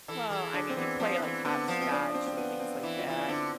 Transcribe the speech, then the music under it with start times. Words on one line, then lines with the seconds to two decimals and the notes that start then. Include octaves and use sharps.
Well, I mean, you play, like, hopscotch and things like that.
0.08 E3 A4
0.30 E3 G#4
0.53 D3 D4
0.69 C4
0.76 E3 B3
1.00 F3 C4
1.22 E3
1.45 D3 B3
1.68 F3
1.81 C4
1.91 D4
2.14 C4
2.26 C4
2.37 B3
2.60 C4
2.83 E3 E4
2.98 F4
3.06 E3 E4
3.18 D4
3.28 D3 C4